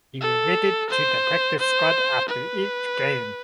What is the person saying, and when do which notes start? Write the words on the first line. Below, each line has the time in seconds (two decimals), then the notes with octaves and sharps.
He reverted to the practice squad after each game.
0.21 A4
0.90 C5
1.60 C5
2.29 B4